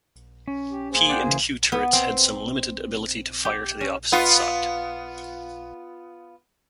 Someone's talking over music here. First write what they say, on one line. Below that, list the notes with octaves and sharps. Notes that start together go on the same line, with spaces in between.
'P' and 'Q' turrets had some limited ability to fire to the opposite side.
C#4
G4
A#3 G#4 C5
D5 F#5 G5
C#3 E3
B3
C4
G4
C#4
B3 F4